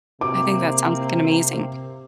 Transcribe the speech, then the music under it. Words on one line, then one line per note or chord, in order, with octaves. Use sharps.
I think that sounds like an amazing
C3 A#3 C4 D6